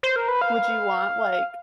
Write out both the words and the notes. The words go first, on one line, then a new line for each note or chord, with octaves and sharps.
Would you want, like,
C5
A#4
B4
F5